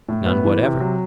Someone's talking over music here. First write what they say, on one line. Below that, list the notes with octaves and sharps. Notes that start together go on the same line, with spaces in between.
None whatever.
A2
B3
E3
C3
F#3